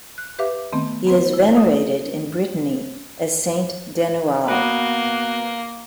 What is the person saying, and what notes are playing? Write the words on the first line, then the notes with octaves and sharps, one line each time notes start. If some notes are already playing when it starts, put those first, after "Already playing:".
He is venerated in Brittany as Saint Denoual.
F#6
G4 B4 E5 F5 D6
D#3 A3 B3 C4
B3 C4 B4 C5
E4
D#6
A#3 B3 F#4 B4